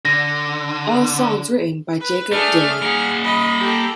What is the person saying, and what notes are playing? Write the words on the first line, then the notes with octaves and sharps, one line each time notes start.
All songs written by Jakob Dylan.
D3 A#6
B4
A3 D4 G#4 F6
A#3 G#4 F#5
D#5 B5
G4 A4